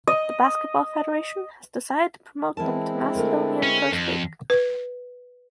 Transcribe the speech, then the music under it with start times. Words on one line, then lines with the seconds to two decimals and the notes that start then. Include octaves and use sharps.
The Basketball Federation has decided to promote them to Macedonian First League.
0.07 D#5
2.57 E3 G#3 C4 E4 A#4 A5
3.15 D3 A3 A#4
3.63 C#4
3.92 F2
4.50 B4